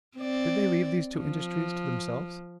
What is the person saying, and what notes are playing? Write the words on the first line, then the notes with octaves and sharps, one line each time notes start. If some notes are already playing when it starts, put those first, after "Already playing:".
Did they leave these two industries to themselves?
C4 D5
F3